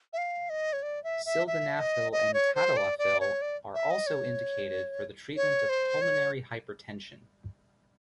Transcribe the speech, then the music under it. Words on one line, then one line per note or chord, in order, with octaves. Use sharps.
Sildenafil and tadalafil are also indicated for the treatment of pulmonary hypertension.
E5
F5
D#5
C#5
D5
E5
E5
E5
D#5
D#5
C#5
C5
D5
D5
C#5
D5
E5
D#5
C#5
C#5
C5
C#5